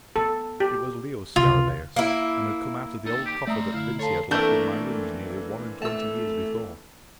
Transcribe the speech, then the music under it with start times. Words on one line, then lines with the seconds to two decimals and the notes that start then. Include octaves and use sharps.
It was Leo's scarabaeus, and had come out of the old coffer that Vincey had left in my rooms nearly one-and-twenty years before.
0.16 B3 A4
0.60 G4
1.36 C#2 C3 F4
1.96 A#3 E4
3.06 A#3 D#4 A4
3.26 G4
3.47 G#3 A3 C4 D5 E5 A#5 D#6
3.74 D3 E4 F5
3.99 A4 C#5 F5 A5 C6
4.31 E3 A3 A#3 C4 D4 A#4 G6
5.82 A3 A5 E6